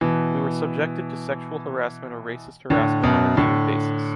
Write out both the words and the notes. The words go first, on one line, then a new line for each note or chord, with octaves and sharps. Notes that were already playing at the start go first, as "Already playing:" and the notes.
We were subjected to sexual harassment or racist harassment on a daily basis.
B2 E3
A2 D3
F#2 B2
A2 D3